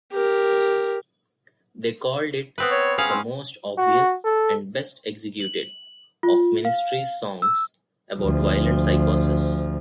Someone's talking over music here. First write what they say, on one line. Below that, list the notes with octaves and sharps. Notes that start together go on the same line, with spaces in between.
They called it "the most obvious and best-executed" of Ministry's songs about violent psychosis.
G4 A#4
B3 C4 B4
C#5
C#4 G#4 F5
C4
F#4
A4
F#7
F4
F5
E6
D2 F3